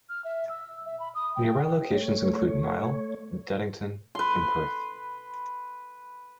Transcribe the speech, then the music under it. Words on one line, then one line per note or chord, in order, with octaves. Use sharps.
Nearby locations include Nile, Deddington and Perth.
F6
E5
E6
E5
B5
D#6
G5
A3 C#5
B4 C6